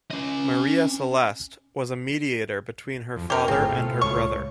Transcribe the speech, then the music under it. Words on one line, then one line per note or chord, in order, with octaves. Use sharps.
Maria Celeste was a mediator between her father and her brother.
C#4 D#5
F2
C#4 G4 A#4
G1 A2 C4 F4 G#4 G#5
D2 B2
C#2 C#5 C#6